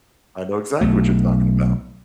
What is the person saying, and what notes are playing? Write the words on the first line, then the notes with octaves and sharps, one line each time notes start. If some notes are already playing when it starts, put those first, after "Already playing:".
I know exactly what you're talking about.
B1 A3